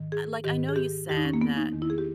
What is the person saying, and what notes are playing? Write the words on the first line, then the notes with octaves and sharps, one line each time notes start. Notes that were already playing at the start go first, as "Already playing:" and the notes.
like I know you said that
Already playing: G#2 D#3
G#4
G#2 D#3 G4
G#4
G4
E2 D#3 G4
D#4
C#4
A#3
B3
D#4
E2 D#3
E4
G#4
G4